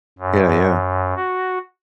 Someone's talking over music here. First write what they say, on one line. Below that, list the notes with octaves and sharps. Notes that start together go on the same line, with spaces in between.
Yeah, yeah.
F#2
F#4